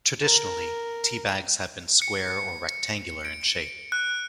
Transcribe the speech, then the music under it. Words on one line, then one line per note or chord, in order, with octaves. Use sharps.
Traditionally, tea bags have been square or rectangular in shape.
A#4
C#7
D7
F#6